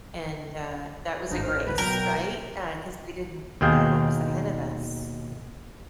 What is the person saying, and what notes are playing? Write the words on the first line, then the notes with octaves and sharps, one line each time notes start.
and, uh, that was a grace, right? Uh, 'cause we didn't know what was ahead of us.
A1 D4 D#4
C5 F6
D2 B4
B2 F#3 A#4 G5
D#2 B2 D#3 G#4 F5 G5